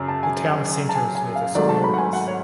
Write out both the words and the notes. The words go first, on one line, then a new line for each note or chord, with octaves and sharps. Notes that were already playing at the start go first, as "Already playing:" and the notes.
The town centre is where The Square is.
Already playing: F#2 C#3
A5
G#5
A5
G#5
G#5
F5
G#1 G#2 F#3 A3 D5
A5
B5
F#5
G#5
F#5
C#5